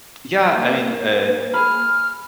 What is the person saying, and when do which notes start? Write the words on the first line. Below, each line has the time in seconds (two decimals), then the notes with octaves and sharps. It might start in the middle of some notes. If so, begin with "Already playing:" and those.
yeah, I mean, uh,
0.54 A#3
1.54 G#4 B5 F6